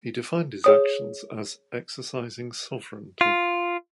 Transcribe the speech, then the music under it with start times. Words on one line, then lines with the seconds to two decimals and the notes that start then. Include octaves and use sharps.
He defined his actions as "exercising sovereignty".
0.64 G#4 C#5 D#6
3.21 F4